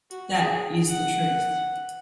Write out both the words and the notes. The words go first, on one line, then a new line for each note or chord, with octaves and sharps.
That is the truth.
F#4
G#4
F#5